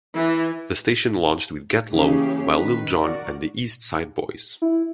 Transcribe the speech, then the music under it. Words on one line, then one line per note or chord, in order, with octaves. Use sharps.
The station launched with "Get Low" by Lil Jon and the East Side Boyz.
E3
C#3 E3 A#3 C#4 G4 G#4
D#3 B4
F#4 A#4 D5
E4